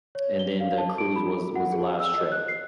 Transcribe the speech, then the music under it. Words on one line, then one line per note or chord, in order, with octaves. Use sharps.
And then the cruise was was the last trip.
C#5
G7
F5
A5
D7
B5
F#5
G#4
E6
D#5
F#6
C7